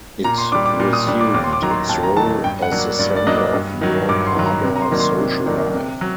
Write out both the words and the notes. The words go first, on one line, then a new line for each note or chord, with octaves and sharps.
It resumed its role as the center of York Harbor social life.
A#2 A#5
C6
G3 D4 D6
D6
A#2
D#6
G3 D4
D6
D#2 D6
C6
D6
D#3 F#3 A#5
C6
D#2 A5
A#5
D#3 F#3 A5
A5
G2 G5
F#5
F#3 A#3 D4
G2 D5
D5
F#3 A#3 D4 D#5
G2
D#3 F#3
G2 D6
C6
D#3 F#3
A#5
C3
A#5
C6
D#3 F#3 A#3 D4
C6
C3
D#3 F#3 A#3 D4
C3
F#3